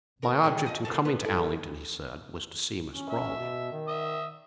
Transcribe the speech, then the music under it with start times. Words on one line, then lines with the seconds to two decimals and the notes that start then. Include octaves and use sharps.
"My object in coming to Allington," he said, "was to see Miss Crawley."
0.22 D#2 A#4
0.44 D3 G3 G#3
0.65 F3 D#5
0.85 C#3 A#3 A4
1.05 B3
1.25 E4 A4
2.92 C#4
3.10 E5
3.37 B2
3.72 D#3
3.88 E5 D#6